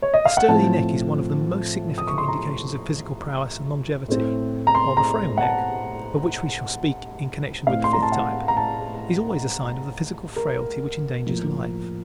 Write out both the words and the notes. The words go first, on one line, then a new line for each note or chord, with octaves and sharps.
A sturdy neck is one of the most significant indications of physical prowess and longevity, while the frail neck--of which we shall speak in connection with the fifth type--is always a sign of the physical frailty which endangers life.
C#5
D#5
F5
F#5
A2 F3 A3 C4 A5
D#6
C#6
C6
A#5
A2 A3 C4
A#5
C6
A#5
F#5
A5
A2 A3 C4 F5
C6
A#5
A5
F#5
A#5
A5
A#4
A2 F3 A#3